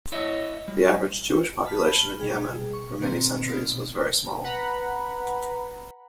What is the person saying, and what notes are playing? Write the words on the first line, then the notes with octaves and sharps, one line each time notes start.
The average Jewish population in Yemen for many centuries was very small.
E4 C#5 D#5 E5
G3
A5 B5 F6 B6
B2 G3 G#4
C#6
G#2 B2 D#3 A#3 C4
B2 D3 B3 C4 D#4 F4
B4 F#5 A#5 B5